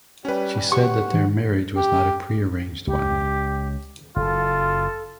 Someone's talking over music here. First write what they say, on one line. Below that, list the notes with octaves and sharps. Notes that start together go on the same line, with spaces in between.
She said that their marriage was not a pre-arranged one.
G3 C#4 B4
G4 F#5 C#6
G4
C#2 G4
F#1 F#2 F4 A4